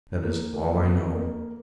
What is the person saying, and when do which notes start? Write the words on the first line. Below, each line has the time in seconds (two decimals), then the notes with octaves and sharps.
That is all I know.
0.24 A#3
0.54 A#3
0.85 F2
1.15 A#3